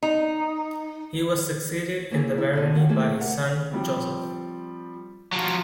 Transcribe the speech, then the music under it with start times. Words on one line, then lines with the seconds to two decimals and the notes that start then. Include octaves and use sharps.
He was succeeded in the barony by his son, Joseph.
0.03 D#4
2.10 F#3 A#3 E4 F4 G#4
2.38 E4
2.53 D#2 B2 D3
2.75 C3 F4 F#4
2.89 A3 A#3 E4 G#4
3.17 D2 G3 A#4 F#5
3.71 F3 G3 C4
5.32 F3 F#3